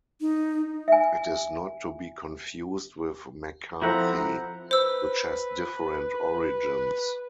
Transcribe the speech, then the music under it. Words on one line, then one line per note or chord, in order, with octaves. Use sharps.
It is not to be confused with McCarthy, which has different origins.
D#4
E5 G#5
F3 C4 E4 A4 E5 F#5 A#5
B4 C5 E6